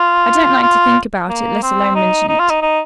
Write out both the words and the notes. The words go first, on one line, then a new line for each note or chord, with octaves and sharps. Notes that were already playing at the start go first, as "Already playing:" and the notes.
"I don't like to think about it, let alone mention it."
Already playing: F4
F4
A#3
C4
D#4
D#4
F4
D#4
D#4